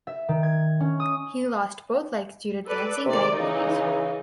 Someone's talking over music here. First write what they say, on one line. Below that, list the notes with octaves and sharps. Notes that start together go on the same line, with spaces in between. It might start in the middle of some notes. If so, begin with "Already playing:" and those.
He lost both legs due to advancing diabetes.
E5
D#3
G#6
C#4
D#6
A4 B4 D5
C3 D#3 D5
C#3 E3 D#4